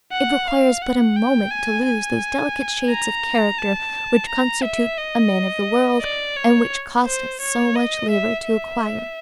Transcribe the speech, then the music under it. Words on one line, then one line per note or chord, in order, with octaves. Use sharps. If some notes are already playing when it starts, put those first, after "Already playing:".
It requires but a moment to lose those delicate shades of character which constitute a man of the world, and which cost us so much labor to acquire.
F#5
F5
F#5
G5
G#5
G#5
A#5
A5
A#5
E5
D#5
D5
C#5
C5
C#5
D#5
E5
E5